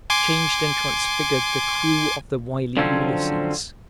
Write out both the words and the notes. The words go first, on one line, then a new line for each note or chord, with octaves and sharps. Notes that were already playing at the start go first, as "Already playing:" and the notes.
Changed and transfigured the crew of the wily Ulysses.
G#5 C6 D6
D3 F3 F#3 C4 C#4